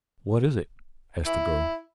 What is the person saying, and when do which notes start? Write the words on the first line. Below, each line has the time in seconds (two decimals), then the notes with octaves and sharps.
"What is it?" asked the girl.
1.26 E4